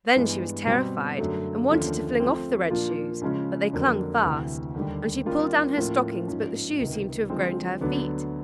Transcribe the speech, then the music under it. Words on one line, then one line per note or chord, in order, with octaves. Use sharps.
Then she was terrified, and wanted to fling off the red shoes, but they clung fast; and she pulled down her stockings, but the shoes seemed to have grown to her feet.
G2 E3 G#3 B3
B2 G3 C4
F#2 D3 F#3 A3
D#2 D3 F3 A3 C#4
F3 A3 C4
A#2 F3 A#3 D4 F4
C#3 F3 G#3 C#4 F4
F2 D3 F#3 A#3
D2 C3 E3
D#2 D3 G3
D#3 G3 A#3 C#4 F4
A2 F3 A#3 C#4 F4
G#2 F3 A#3 C#4
C#2 C3 D#3
D3 F3 G#3 C4
D2 D3 F#3 B3 D4